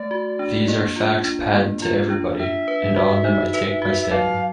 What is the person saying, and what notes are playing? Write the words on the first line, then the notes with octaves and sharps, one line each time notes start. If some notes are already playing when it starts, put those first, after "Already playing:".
These are facts patent to everybody, and on them I take my stand.
Already playing: A3 D5
F#4
D4
A#3
F4
D4
A#3
F4
D4
D4 E5
B4
F#4
D#4
B4
F#4
E5
F#3 F5